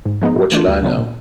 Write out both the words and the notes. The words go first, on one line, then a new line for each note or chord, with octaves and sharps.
But what should I know?
G#2
F3 G#3 B3 D#4
G#2
E3 A3 D4 F4
D2
C#3 F#3 B3 D4
A#2